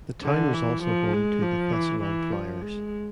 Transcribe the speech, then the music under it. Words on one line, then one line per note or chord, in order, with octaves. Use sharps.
The town was also home to the Thessalon Flyers.
D3
E3
F3
G#3
F3
E3
E3
F3
G#3